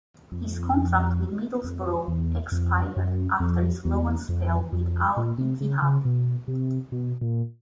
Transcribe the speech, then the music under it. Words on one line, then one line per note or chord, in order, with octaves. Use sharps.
His contract with Middlesbrough expired after his loan spell with Al-Ittihad.
F2
F2
E2
F2
F#2
F2
E2
F2
F2
A#2
C3
C#3
C#3
B2
C3
B2
A#2